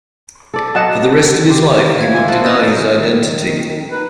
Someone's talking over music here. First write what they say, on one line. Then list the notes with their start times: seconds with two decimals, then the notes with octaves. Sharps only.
For the rest of his life he would deny his identity.
0.54 A4 D5
0.75 F#3 D#5 F#5 A5
1.49 G4 C5
1.98 E5 F5 G#6
2.13 G#3 A#3 E4 G#5
2.28 B2 C5 F#5 A5
2.44 C#4 D#4 B4 D#5 E6 G6 A6
2.92 D#3
3.91 D#4 B4